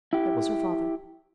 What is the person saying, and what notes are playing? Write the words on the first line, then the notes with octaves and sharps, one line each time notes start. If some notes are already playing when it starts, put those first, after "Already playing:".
It was her father.
E4 G4